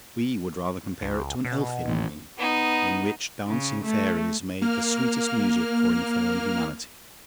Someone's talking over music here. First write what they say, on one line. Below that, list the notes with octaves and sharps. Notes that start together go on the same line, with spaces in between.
We would rather compare it to an elfin ring, in which dancing fairies made the sweetest music for infirm humanity.
C#2
B2
A1
B3 D#4
C#3
A3
A#3 F6